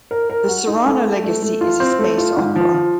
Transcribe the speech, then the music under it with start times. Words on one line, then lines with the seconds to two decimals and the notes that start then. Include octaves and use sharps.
"The Serrano Legacy" is a space opera.
0.11 A#4
0.30 A#4
0.48 F#4
0.67 D#4
0.86 A3
1.05 A3
1.24 A3
1.42 A3
1.61 F4
1.80 C4
1.99 A3
2.18 F4
2.37 G#2
2.56 F3
2.74 F3